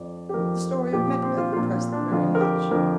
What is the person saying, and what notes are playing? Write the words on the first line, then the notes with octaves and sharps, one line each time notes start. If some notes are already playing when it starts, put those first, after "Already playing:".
The story of Macbeth impressed them very much.
Already playing: F2 F3 D5
G4
F2 F3 A#4
A#2 F3 G4
C4
F4
A#2 F3 F4
F4
D4
F2 D3 F3 F4
A#4
G4
F2 D3 F3 A#4